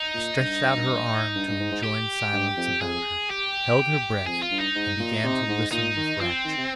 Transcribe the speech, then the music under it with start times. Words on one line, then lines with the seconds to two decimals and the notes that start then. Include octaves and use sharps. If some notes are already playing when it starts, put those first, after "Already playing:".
She stretched out her arm to enjoin silence about her, held her breath, and began to listen with rapture.
Already playing: D#4
0.14 A#2
0.39 G2
1.35 G2
1.47 G2
1.60 G#2
1.72 G#2
1.84 G4
2.32 G2
2.57 F2
2.81 F2 G#4
3.30 G4
4.26 F2 G#4
4.43 F4
4.51 G2
4.59 D#4
4.75 G#2
4.99 A#2
5.24 C3
5.48 G#2
5.72 A#2 D#4
5.96 D#3
6.21 F3 C4
6.45 D#3
6.57 C3